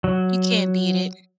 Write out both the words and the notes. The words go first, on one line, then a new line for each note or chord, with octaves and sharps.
You can't beat it.
F#3